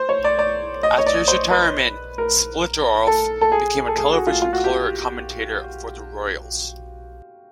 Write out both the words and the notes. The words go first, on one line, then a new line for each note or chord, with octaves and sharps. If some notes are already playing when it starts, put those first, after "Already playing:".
After his retirement, Splittorff became a television color commentator for the Royals.
Already playing: C5
C#5
D5
D5
D#5
C#5
D5
C5
B4
A#4
A4
A4
G#4
A4
G#4
F#4
F4
F4
F#4
G4